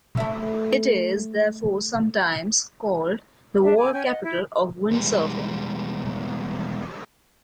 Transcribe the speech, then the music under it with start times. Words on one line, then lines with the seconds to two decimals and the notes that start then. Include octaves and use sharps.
It is therefore sometimes called "The World Capital of Windsurfing".
0.17 A3 E4
3.63 D4 E5
3.77 G#5 D6
3.93 C#4 G5 G#5
4.05 D#5 F#5
4.23 E4
4.91 E2 B2 G3 G#3